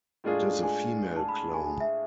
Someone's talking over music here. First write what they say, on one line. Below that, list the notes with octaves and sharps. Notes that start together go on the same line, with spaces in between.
It is a female clone.
A2 G#3 D4 F4 G#4
G#5
A5
B5
G#5
E5